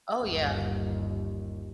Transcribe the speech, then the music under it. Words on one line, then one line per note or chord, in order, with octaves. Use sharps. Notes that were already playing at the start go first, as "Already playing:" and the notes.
Oh, yeah.
G1 D#2